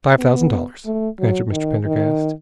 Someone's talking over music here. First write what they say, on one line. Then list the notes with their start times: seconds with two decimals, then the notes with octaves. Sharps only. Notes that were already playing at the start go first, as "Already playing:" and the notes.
"Five thousand dollars," answered Mr. Pendergast.
0.19 B3
0.85 A3
1.19 F#3
1.52 D#3
1.85 D#3